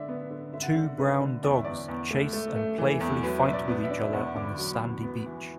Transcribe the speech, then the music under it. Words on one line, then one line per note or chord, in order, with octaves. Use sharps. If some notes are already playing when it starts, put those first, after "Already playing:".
Two brown dogs chase and playfully fight with each other on the sandy beach.
Already playing: D3 D4 E5
B3
D3
D3 E5
F#5
E5
D3
D3 B4
D3
E2 D5
E5
E2 D5
E2
A3
A3
A3
E3
E2
F#3 B4
B4
B2 E5
D5
B3
E5
D4
E5
E2 F#5
D3 D6
B5
F#3
B5
E2
B3
E3